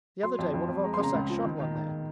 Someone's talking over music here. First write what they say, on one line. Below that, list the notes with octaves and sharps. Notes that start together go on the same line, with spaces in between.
The other day one of our Cossacks shot one there.
F#3 C6
F2
F2
F2
G#3 A#5
C6
C#3 A#5
C#2
F3
D#3
D#3
D#3